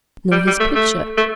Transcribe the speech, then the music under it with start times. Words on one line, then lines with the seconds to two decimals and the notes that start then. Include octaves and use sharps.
"Nor his picture?"
0.32 G3
0.47 G3
0.60 A3
0.75 A3
1.18 A3